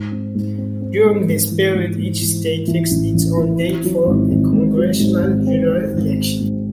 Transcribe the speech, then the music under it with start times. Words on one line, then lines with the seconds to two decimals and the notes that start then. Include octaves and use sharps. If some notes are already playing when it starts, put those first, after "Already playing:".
During this period, each state fixed its own date for a congressional general election.
Already playing: G#2
0.12 C4
0.35 G#2
0.58 C4
0.81 C4
1.05 G#2
1.28 G#2
1.52 E3
1.74 G#2
1.98 G#2
2.22 E3
2.44 E3
2.68 E3
2.91 A1
3.14 A1
3.37 E3
3.60 C4
3.84 F#3
4.07 G#1
4.31 G#1
4.53 G#2
4.77 F#3
5.00 G#2
5.23 G#1
5.47 C4
5.69 C4
5.93 G#1
6.16 C4
6.40 G#2